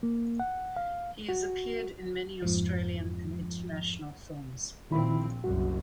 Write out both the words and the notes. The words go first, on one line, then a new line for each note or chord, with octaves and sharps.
He has appeared in many Australian and international films.
A#3
F#5
F5
F#4
F2 G#2 F3
A#1 A#2 D#3 C4 E4 B5
F#1 C2 F#2 F#4